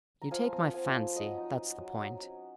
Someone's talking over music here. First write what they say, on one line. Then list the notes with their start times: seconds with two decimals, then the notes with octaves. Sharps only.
You take my fancy; that's the point!
0.22 A#5
0.31 F3 F5 G#5
0.53 C4
0.73 F3 F5 G#5
0.95 F3
1.16 F#3 D#5 F#5
1.37 D#4
1.59 F#3
1.80 F#3
2.01 F#3
2.22 C#4